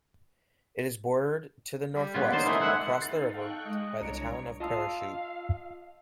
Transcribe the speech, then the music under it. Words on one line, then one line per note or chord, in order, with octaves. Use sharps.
It is bordered to the northwest, across the river, by the town of Parachute.
G3
B3 C#4 F4
D#4 C5 D5 C6
A3 A#3 E4 G#4
G#3 E5 F#5
D#4 A6 C7
A4 F5 G5 C#6 F#6
G#3 D#5
C2 D4 C#5 A#5 C#7 D7
F4 D#5 F5 A5 C6 E6